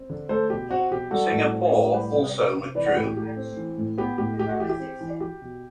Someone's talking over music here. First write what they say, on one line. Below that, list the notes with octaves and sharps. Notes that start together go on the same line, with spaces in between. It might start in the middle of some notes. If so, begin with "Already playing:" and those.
Singapore also withdrew.
Already playing: C4
D3
A3 A4 C5
B2 G4
C4 F#4
B2 G4
G3 F#4 A4
A2
C4
A2
G3 G4 B4
C3
C4
C3
E3 B4 D5
D5 F#5
A2 G4 B4
G4
A3 G4
C4
E3
A2
B3 G4
A2 G4
A3 G4
F#4
E3 G4
G4
C4
E3
F#3 G4
B2